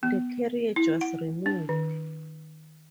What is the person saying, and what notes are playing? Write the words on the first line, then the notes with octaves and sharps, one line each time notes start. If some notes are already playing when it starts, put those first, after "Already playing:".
The carriage was removed.
B3
E4
F#5
D4
D#3